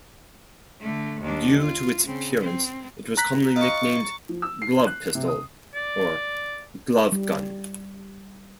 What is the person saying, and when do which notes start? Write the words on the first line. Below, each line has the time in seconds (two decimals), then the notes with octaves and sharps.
Due to its appearance, it was commonly nicknamed "Glove Pistol" or "Glove Gun".
0.80 D3 A3
1.21 D#2 D4
1.60 F4
2.06 C#3 C4
2.40 C4
3.17 A#5 F#6 B6
3.56 D#4 F4 C#6 A6
4.29 F3
4.42 E6
4.62 C7
4.87 F#6
5.15 C3
5.28 D#6
5.75 D5
7.12 G3